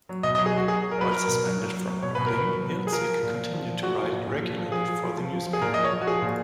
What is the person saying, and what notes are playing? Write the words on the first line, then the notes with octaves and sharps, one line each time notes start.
While suspended from blogging, Hiltzik continued to write regularly for the newspaper.
F#3
B2 D#5
D#5
F#3
G#4
F#3 F#4
F#3 G#4
F#3
A#4
F#3 B4
F#3 A#4
B2
F#3
F#3
F#3
F#3
B2 C#5
B2 B4
A#4
B2
B4
F#3
B2
F#3
G#4
F3 A#4
F3
A#2
F3
F3
A#2
F3 F#4
A#2
A#2
A#2
F3
F3
F3 G#4
F3
F3
F3
F3
F3
G#4
A#2 A#4
F3 D#5
C#5
F3
F#4
F3 G#4
A#2